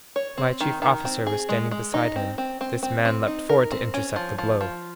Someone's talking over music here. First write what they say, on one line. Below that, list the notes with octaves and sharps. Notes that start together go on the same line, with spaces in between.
My chief officer was standing beside him. This man leaped forward to intercept the blow.
C#5
C4
D#3
D#3
C4
G#4
G#3
G#3
D#4
C4
C4
C4
C4
C4
D#4
A#4
C4
C#4
F3
F3
F3